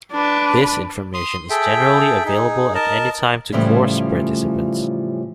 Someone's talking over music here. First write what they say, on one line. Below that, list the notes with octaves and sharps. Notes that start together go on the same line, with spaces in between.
This information is generally available at any time to course participants.
D4 B4
C6 D#6
G#4 A4 E5 G5
D#4 G#4
A#4 D#5 A5
A2 C#3 E3 F3 G3 A3